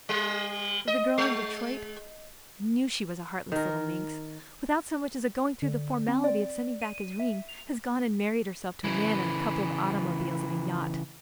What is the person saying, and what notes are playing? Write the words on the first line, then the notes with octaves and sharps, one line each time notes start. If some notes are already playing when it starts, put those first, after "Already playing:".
The girl in Detroit,--I knew she was a heartless little minx,--without so much as going through the formality of sending back his ring, has gone and married herself to a man and a couple of automobiles and a yacht.
G3
D#5
G#3
D#3 A#4
D3
C4
D5
D#7
E5
F7
C#3 E3